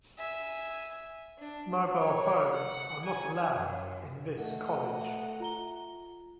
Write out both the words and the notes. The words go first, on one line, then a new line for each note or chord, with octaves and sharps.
Mobile phones are not allowed in this college.
E5 G#5
D4
C#5
F#5
G#5
F#2
A3 D#5 F#5
F4 A#5 G7